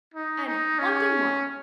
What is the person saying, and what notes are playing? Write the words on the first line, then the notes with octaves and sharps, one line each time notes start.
And--one thing more!
D#4
D#4
C#4